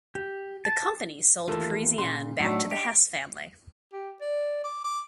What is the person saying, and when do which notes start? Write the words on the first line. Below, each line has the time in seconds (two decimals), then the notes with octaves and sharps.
The company sold Parisian back to the Hess family.
0.15 G4
0.65 A5
1.48 D#2 E3 A3 F4 A4 A#4
1.98 A#2 C#3 C6
2.40 A2 F#3 A3 D4 D#4
2.71 G4 D#5
3.93 G4
4.21 D5
4.64 D6
4.84 D6